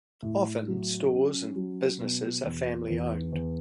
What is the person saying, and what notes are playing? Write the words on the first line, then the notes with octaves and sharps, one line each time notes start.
Often stores and businesses are family owned.
A2
F#3
C#4
F#3
B2
E2
E2
E2